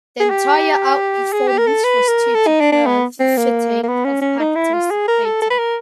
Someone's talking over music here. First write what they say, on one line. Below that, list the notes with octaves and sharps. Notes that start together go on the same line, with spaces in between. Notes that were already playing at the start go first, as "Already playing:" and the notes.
The entire outperformance was due to curve fitting of backtested data.
G#4
G4
G#4
G4
A#4
A4
B4
A#4
A4
D#4
D4
D4
B3
C4
A#3
A#3
B3
C#4
C#4
D#4
E4
F4
G#4
A#4
A4
A4
B4
A#4